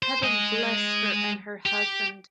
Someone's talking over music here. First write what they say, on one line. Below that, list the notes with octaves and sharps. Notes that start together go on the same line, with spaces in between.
Heaven bless her and her husband!
C5
G#3 D#5
G4